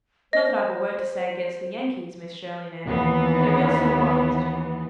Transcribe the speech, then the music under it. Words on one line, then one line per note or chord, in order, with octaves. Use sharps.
Not that I've a word to say against the Yankees, Miss Shirley, ma'am. They're real civilized.
C5 D#5
D#2 E3 B3